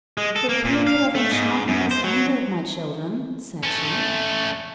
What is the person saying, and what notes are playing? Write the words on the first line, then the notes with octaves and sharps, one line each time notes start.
"The period of enchantment is ended, my children," said she.
G#3
A4
A#3
A#2
F5
A3
G#2
F#2
C5
F#3
A3 C#4